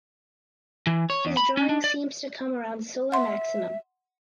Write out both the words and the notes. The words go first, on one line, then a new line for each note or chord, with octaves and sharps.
His drawing seems to come around solar maximum.
E3
C#5
E2
B5
C#4
D4
D5
E5 F#5 C6